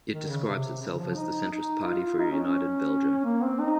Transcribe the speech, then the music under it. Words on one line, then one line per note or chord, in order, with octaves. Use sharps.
It describes itself as "The Centrist Party for a United Belgium".
D#3
C#3
C3
C#3
F3
D#4
D#4
F4
D#4
C#4
C#4
A#3
C4
D#4